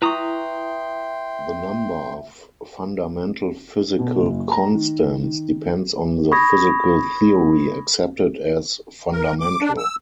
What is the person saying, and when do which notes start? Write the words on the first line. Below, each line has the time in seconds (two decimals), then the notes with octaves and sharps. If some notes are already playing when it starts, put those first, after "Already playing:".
The number of fundamental physical constants depends on the physical theory accepted as "fundamental".
0.02 E4 B4 E5 G5 A#5 C6 C#6 D#6
3.99 B2
4.18 F#1
4.52 A#5
4.75 D#3
5.23 D#3
6.32 B5 C#6 D#6 G#6 A#6
9.12 A#4
9.40 D6
9.61 D4
9.78 E6